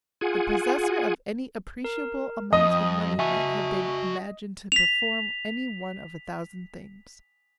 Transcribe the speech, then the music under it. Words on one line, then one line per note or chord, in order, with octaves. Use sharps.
The possessor of any appreciable amount of money might have been imagined to perform any one of a thousand things.
F4 G#4 F#5 G#5
A#4
F2 D#5 D#6
F#4 E5 G#5 A5 C#6
B6 F7